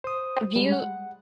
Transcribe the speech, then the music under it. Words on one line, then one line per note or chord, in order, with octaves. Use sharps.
Have you
C5 D#6
G3 G#3
F#5